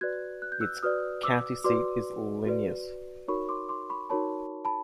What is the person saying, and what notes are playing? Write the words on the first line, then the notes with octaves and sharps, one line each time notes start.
Its county seat is Linneus.
F#4 B4 D5 F#6 G#6
F#6
G6
E6 F#6
F#4 B4 D5 D#6 F6
D6 E6
F#4 B4 D5 C6 D6
F#4 B4 D5
D#4 F#4 A#4 C#5 B5 C#6
C6 D6
C6 D6
B5 C#6
D#4 F#4 A#4 C#5 A5 B5
A5 B5